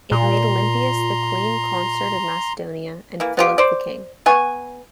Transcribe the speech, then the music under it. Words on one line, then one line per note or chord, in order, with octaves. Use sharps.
It made Olympias the queen consort of Macedonia, and Philip the king.
A#2 A#5 C6
E3 A#3
B3 F4 G4
C5 D5
B3 G#5 C#6